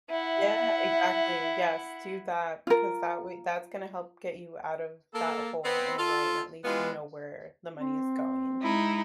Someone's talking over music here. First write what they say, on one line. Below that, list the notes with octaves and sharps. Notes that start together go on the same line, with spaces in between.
Yeah, exactly, yes. Do that because that way that's gonna help get you out of that hole in a way, and at least you know where the money is going.
E4 E5 F#5
F4 A#4
A#3 A4
B3 C4
F4 A4
E3 G#3 B3 F4 G4
C4
G#3 D#4 E4